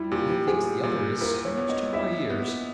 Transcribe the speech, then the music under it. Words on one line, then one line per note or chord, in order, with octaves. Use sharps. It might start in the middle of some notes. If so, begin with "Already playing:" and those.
Methinks the other is strange to my ears.
Already playing: G3 E4
A#2 G4
G4
A#2 G#4
A#2
E4 A#4
C#5
B3
D#5
E4 E5
B3